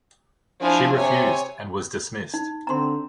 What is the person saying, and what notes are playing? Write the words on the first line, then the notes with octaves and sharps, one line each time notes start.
She refused and was dismissed.
F3 D4 E4 G#5
C3 C5 C#5 G#5
D#4
D3 C4 A#5 C6